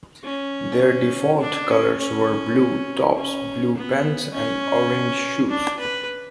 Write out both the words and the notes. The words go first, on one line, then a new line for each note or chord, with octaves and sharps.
Their default colors were blue tops, blue pants and orange shoes.
C#4
D4
C#4
C#4
C#4
B3
C#4
D4
B4